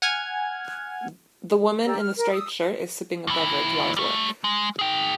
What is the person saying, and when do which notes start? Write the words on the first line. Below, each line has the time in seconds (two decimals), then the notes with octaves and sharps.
The woman in the striped shirt is sipping a beverage while at work.
0.02 F#5 G#5 F6 G#6
1.85 G4 D5 A#5 E6
1.99 F6
2.18 A#4
2.31 D#6 E6
3.27 D#2 E4
3.97 G3 A3
4.44 G#3
4.79 G#4 G5